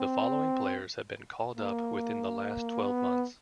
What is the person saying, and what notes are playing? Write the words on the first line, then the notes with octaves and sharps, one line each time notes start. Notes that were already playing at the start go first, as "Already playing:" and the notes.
The following players have been called up within the last twelve months.
Already playing: C4
A#3
B3